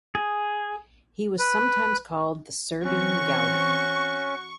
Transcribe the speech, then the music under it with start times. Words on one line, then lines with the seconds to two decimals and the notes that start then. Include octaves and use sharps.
He was sometimes called "the Serbian Gaudi".
0.15 G#4
1.39 B4
2.84 E3 C4 C#4 F#4 C#6